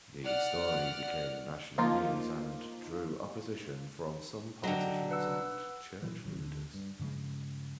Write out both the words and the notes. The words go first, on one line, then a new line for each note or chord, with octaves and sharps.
The story became national news and drew opposition from some politicians and church leaders.
D5 F#5 F6
F3 A#3 D#4 F4
D3 F#3 D#5 G5
B4 F#5 E6
A#2 E3 F#3
A1 D#3 F#3
D2 D3
G2
G2 C#3 F3 G#3